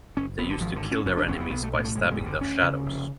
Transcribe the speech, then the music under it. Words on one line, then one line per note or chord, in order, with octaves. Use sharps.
They used to kill their enemies by stabbing their shadows.
F#1 C#4
F#1 B3
D3
G#1 F3
D3
G#2
C#4
F1 C#4
D4
F1 C#4
B3
B1 B3
A3
A2 A3
B3
A3
F#1 G#3
G#3
F#1
D3
D2 C#4
C#3
F1